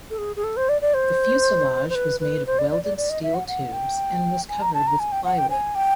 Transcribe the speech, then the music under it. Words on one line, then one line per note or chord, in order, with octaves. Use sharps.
The fuselage was made of welded steel tubes and was covered with plywood.
A4
G#4
G#4
A4
C5
D5
D5
C5
C5
B4
B4
C5
D5
D5
D5
D5
D#5
E5
F#5
F#5
G5
G#5
A#5
A5
A#5
G#5
G5
F#5
G5
G#5
G5